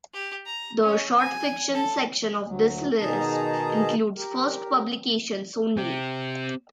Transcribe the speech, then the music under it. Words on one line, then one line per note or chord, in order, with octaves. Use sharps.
The Shortfiction section of this list includes first publications only.
G4
A#5
C#4
G#5
A4
D2 F#3
B2 D#3 D#4 G#4 A5 A#5
G4 A#4
C4 G4